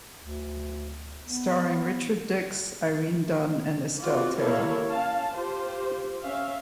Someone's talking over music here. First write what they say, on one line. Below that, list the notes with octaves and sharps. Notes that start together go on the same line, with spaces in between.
Starring Richard Dix, Irene Dunne and Estelle Taylor.
D2
B3
B3 C4 F4 F#4 B4 D5
A#3 E4 G4 A4 C#5 F5
C#4 F5 A5
F4 G4 C5
C#4 E5 F5